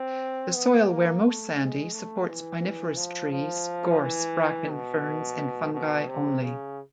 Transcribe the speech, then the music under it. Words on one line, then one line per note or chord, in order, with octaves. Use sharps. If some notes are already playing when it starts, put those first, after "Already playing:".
The soil where most sandy supports pineferous trees, gorse, bracken, ferns and fungi only.
Already playing: C4
B3
A#3
A3
G#3
A3
E3
F3
F3
E3
B2
B2
C3
C#3